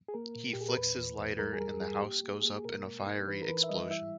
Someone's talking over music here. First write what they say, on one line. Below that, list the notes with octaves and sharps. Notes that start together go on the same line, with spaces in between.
He flicks his lighter and the house goes up in a fiery explosion.
G#4
A#3 A#4
A#2
A#2 G4
G#4
A#4
E2 B4
E2
E2
G3 A#4
G#4
G3 A#4
G3 G#4
G#4
A#3 G4
A#3
G#4
A#3
G#4
B2 A#4
G#3
D#4
E3 B4
A#4
E3 B4
E5
G3 D#5
E4 E5